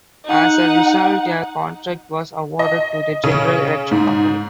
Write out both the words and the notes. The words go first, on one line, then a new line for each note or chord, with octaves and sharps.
As a result, a contract was awarded to the General Electric Company.
D#4 F#5
D#5
C#3
G#2